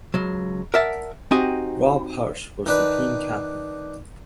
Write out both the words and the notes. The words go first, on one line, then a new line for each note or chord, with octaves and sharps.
Robb Hirsch was the team captain.
C#2 F#3
A#4 D5 E5 F#5 A5
C4 D#4 F#4 G4 D#5 G#5
D#3 D4 B4